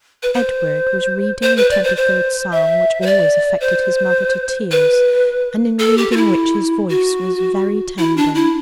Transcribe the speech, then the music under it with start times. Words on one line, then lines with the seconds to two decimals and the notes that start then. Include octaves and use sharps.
Edward was reading the twenty-third Psalm, which always affected his mother to tears, and in reading which his voice was very tender, '...
0.23 B4
0.34 C5
1.43 C5
1.57 B4
1.70 D5
1.84 C5
1.97 C5
2.52 E5
3.02 C5
3.06 D5
3.61 C5
4.71 B4
5.79 A4
5.98 G4
6.11 F#4
6.17 E4
6.89 F#4
7.98 E4
8.17 D4
8.35 E4